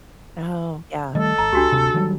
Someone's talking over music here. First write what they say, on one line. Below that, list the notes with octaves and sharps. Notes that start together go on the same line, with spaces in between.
Oh, yeah.
D#3 G3 A3 A4 D#5
G#1 A#5
C#2 D4 F#4 G4
D1 C3
D#3 F#3 G3